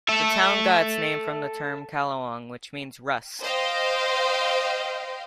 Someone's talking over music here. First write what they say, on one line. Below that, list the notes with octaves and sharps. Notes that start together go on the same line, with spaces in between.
The town got its name from the term "kalawang", which means rust.
A4 E5
C5 D#5 F5 G5